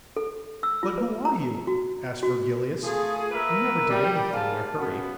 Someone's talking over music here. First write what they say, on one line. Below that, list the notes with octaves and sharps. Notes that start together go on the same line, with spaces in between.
'But who are you?' asked Virgilius, who never did anything in a hurry.
A4
E6
F4
B4
A#5
F#4
F#4
A3 F4 G#4
A#3 A#4 B4 E5
G3
G#2 A#3 F4 A5
F#2 B3